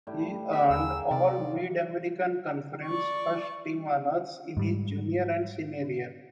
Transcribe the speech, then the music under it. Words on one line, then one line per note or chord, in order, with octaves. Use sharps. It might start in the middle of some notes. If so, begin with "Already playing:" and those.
He earned All-Mid-American Conference first-team honors in his junior and senior year.
A2 G3 G4
G3 B3 E5
D#2 G#4 A#4 E6
C3 F4 D5
D5 C#6
G#2 G3